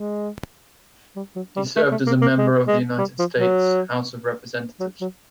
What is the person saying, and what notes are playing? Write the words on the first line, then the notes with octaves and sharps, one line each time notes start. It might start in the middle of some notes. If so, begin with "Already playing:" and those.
He served as a member of the United States House of Representatives.
Already playing: G#3
G3
F#3
G3
A3
A3
A#3
A#3
G#3
G#3
G3
F3
F#3
F#3
F#3